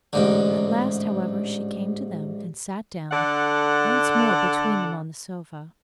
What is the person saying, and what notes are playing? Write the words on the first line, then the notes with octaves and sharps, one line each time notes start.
At last, however, she came to them, and sat down once more between them on the sofa.
A1 G#2 D3
D3 A4 D5 F#5